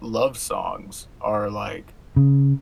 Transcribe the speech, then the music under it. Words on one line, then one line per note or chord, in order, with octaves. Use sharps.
love songs are, like
C#3